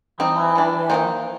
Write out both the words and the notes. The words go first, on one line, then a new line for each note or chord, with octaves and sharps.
Ah, yeah.
G3 C4 D#4 D#5
G3 D4
D#3 F#3 A#3 D#4 C5